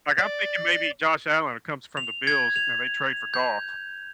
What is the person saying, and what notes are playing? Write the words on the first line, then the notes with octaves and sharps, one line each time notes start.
Like, I'm thinking maybe Josh Allen comes from the Bills, and they trade for Goff
D5
F7
G#6
F7
G6